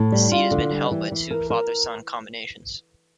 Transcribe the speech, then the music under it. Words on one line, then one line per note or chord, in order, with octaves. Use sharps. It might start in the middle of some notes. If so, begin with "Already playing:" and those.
The seat has been held by two father-son combinations.
Already playing: A2
G3
F4
D3
G3
E3
E3
A#4
A#4